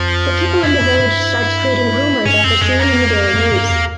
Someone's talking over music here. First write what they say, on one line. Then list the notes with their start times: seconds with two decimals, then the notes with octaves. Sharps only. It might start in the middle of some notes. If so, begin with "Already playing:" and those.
The people in the village starts creating rumors after seeing in the daily news.
Already playing: F2 F3
0.63 F2 E4
0.81 F2
0.99 G2
2.25 G2 C#4
2.44 F2 C4
2.61 F2 G#3
2.79 A#3
3.34 F2
3.52 G2
3.70 E2